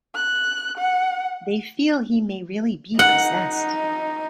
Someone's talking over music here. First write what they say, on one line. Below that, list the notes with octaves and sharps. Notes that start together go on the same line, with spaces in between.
They feel he may really be 'possessed'.
F#6
F#5
D#4 F#5